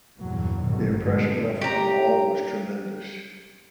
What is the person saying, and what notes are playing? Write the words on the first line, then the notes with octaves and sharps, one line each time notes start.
The impression left on all was tremendous.
E2 G2 A#2 F#3
G#1 B2 D#3 F#3 G3
G2 A#2 D3 G3 G#3
G4 A#5